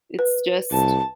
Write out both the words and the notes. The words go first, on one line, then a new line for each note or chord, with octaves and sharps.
it's just,
B4
C2 A5